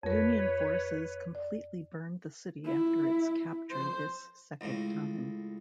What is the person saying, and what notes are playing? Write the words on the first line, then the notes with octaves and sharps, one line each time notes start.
Union forces completely burned the city after its capture this second time.
F2 A#4 B4 C#5
D5
E4
C5
C#2 A2